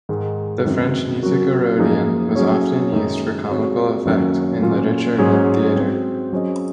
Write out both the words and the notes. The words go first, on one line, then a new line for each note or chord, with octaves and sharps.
The French-Nizhegorodian was often used for comical effect in literature and theatre.
G#2 D#3 G#3
F#2 D#3 G#3 C4 D#4
F#3 C#4 F#4 A#4
F#2 F3 A#3 D#4 G#4
F#3 C#4 G#4 C#5
F#2 D#3 G#3 D#4
G#3 C4 F#4 C#5
F#2 D#3 F#3 A#3 C#4
A#2 F#3 C#4 F4
G#2 F#3 C#4 G#4 C5
G#3 C4 F#4 C5
F#3 C#4 G#4 C5 D#5